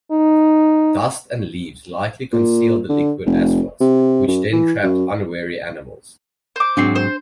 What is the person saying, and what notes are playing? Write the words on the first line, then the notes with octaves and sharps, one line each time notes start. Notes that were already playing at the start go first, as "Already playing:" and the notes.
Dust and leaves likely concealed the liquid asphalt, which then trapped unwary animals.
D#4
A#2
D3
F1
C3
F#2
E3
F#2
C5 D6
G#2 F#3 C4 D4 C7
C5